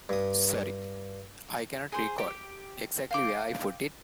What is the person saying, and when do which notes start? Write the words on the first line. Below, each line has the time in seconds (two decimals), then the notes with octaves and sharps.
Sorry I cannot recall exactly where I put it.
0.09 G2 D#6
1.92 G#4 C5
2.18 G4
3.11 F5 G5 D6